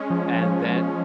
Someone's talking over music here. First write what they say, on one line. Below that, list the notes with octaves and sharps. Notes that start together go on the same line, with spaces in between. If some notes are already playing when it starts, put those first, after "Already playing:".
and then
Already playing: G#3 C#4
F3
F3
F3